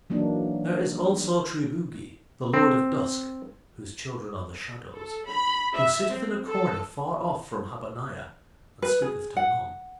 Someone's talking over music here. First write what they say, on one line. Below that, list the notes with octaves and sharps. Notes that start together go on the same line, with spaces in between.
There is also Triboogie, the Lord of Dusk, whose children are the shadows, who sitteth in a corner far off from Habaniah and speaketh to none.
E3 F#3 A#3 D4 D#4
C4
A4
B5
E5
C4
A4
B4
G#4
F#5